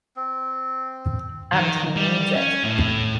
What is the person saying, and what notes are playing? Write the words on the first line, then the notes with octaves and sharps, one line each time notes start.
And he means it.
C4
D#3
G3
C#4
A2